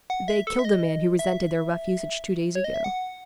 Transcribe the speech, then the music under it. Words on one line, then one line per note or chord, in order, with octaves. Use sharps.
They killed a man who resented their rough usage, two days ago.
F#5
E5
A4
E5
D#5
E5
C#5
D#5
E5
F#5